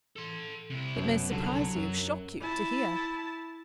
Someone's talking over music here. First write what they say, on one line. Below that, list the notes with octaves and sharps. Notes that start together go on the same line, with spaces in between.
It may surprise you, shock you to hear.
A4 C6
C3 E4
F#2 B2
C2 D3 F#3
F#2
E4 A5